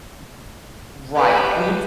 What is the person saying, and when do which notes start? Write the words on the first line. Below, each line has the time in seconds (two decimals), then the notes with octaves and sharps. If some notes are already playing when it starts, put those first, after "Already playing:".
Right, and he's
1.15 G4 B4